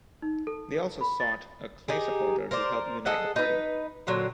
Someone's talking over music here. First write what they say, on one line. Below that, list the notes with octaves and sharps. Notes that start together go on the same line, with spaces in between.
They also sought a Clay supporter to help unite the party.
D#4
A4
A4
B5
A6
D#4 G4 G#4
A#4 C5 D5
G#4 A4 D#5 F#5
D#4 B4
A#2 D3 F#3 C4